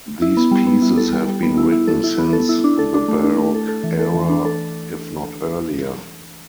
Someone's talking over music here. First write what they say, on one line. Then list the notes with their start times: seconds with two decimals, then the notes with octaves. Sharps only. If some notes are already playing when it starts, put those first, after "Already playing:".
These pieces have been written since the Baroque era if not earlier.
0.22 E4
0.37 B3
0.51 G3
0.67 B3
0.82 E4
0.97 A4
1.13 G3
1.28 G3
1.42 B3
1.57 E4
1.72 E4
1.87 A4
2.04 E4
2.19 B3
2.33 A4
2.49 E4
2.64 D4
2.79 A4
2.94 D4
3.08 A3
3.24 D4
3.38 A3
3.55 A4
3.68 A4
3.84 E3
3.99 A4
4.14 E3
4.29 D4
4.45 A4